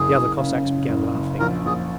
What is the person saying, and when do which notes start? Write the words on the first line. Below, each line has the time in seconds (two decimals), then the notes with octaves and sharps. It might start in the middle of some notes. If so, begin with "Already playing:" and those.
The other Cossacks began laughing.
Already playing: F#1 G#4
0.13 F#1
0.38 C#3
0.64 F#1
0.89 F#1
1.15 F#1
1.39 A#1 A#4
1.66 A#1 G#4